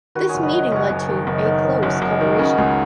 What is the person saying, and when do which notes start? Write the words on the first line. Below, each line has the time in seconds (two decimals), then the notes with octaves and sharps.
This meeting led to a close cooperation.
0.15 D#3 F#4 B4
0.29 G#4 C#5
0.34 F#1
0.43 B4 D#5
0.53 F#1 F#5
0.72 F#1 C#5 F#5
0.90 F#1
1.09 D#3
1.27 F#1 B3 D#4
1.46 D#3
1.64 D#3
1.83 F#1 C#4 F#4
2.01 F#1 D#4 G#4
2.20 D#3 C#4 F#4
2.38 C#3 B3 D#4
2.58 C#2 D#4 G#4